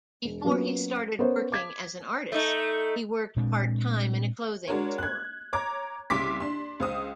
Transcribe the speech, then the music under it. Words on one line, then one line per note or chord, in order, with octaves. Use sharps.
Before he started working as an artist, he worked part-time in a clothing store.
E1
F#3 A#3 B3 C#4 F4 F#4
B3 C#4 A#4 C5 C#5
D6 G#6 B6
A3 D#4
A#2 G#3 C4 D4
G#3 D4 F#4 A#4 C#5
F#6 G#6
C#5 A#5 D6 G#6
C2 C#3 C6 D6 B6
D4 C6
C#2 C5 D#6